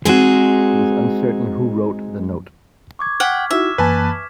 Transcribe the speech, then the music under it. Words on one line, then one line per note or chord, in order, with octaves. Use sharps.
It is uncertain who wrote the note.
G#3 C4 D#4 F#4 G#4
C#6 D6 G#6
F#5 G5 F6 B6
D#4 E4 F#4 E5
F#2 E3 A#3 B4 G#5 A5 B6 E7